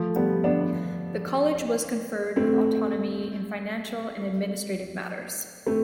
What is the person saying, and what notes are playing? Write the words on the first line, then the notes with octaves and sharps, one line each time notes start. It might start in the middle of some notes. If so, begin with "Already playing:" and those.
The college was conferred with autonomy in financial and administrative matters.
Already playing: F3 A3
G3 B3
B3 D4
A3 C4
A3 C4